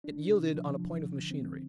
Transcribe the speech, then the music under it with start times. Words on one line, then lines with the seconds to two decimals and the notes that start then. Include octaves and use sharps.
It yielded on a point of machinery.
0.04 D4
0.29 C3
0.54 F3
0.80 F3
1.06 D3
1.31 C4